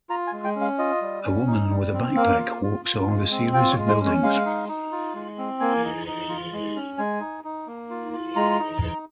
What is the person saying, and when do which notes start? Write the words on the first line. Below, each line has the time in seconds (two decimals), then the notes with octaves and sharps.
A woman with a backpack walks along a series of buildings.
0.10 F4 A#5
0.27 G#5
0.33 G#3
0.44 G5
0.56 C#4
0.61 F5
0.79 F4 D#5
1.02 G3
1.25 C#4
1.47 D#4
1.71 G3
1.94 C4
2.16 A#3 F5
2.39 F4
2.63 F4
2.85 F4
3.08 G#3
3.31 C4
3.54 F4 G5
3.71 C#5
3.77 G#3
3.88 C5
4.00 C#4
4.06 C#5
4.23 G#3 F5
4.46 D#4
4.69 D#4
4.92 F4
5.14 G#3
5.38 C4
5.60 A#3 G#5
5.84 D#4
6.07 D#4
6.29 F4
6.53 G#3
6.76 C#4
6.98 G#3 G#5
7.21 D#4
7.45 D#4
7.67 A#3
7.90 F4
8.13 F4
8.36 G#3 A#5
8.59 D#4
8.82 D#4